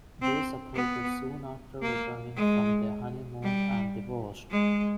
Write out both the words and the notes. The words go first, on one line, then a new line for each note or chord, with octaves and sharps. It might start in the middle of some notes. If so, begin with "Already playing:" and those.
They separated soon after returning from their honeymoon and divorced.
C4
B3
A#3
G#3
G3
G#3